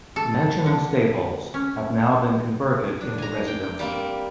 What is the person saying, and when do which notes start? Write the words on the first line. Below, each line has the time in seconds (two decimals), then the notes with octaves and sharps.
The mansion and stables have now been converted into residences.
0.16 A4
0.66 D3
1.54 C#4
3.01 D4
3.18 G#5 A#5
3.48 G5
3.79 G3 A#3 C4